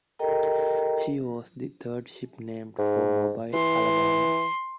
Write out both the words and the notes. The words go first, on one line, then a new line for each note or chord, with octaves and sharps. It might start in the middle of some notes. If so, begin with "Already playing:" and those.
She was the third ship named for Mobile, Alabama.
G4 A4 A#4 D#5 G5 A#5
G#2
E3 C6